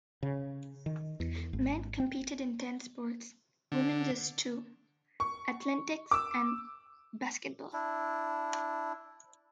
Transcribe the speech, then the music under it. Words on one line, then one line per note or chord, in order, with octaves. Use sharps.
Men competed in ten sports, women just two; athletics and basketball.
C#3
D#3
E2
G#1
C4
D3
C#6
D6 E6
D4 E4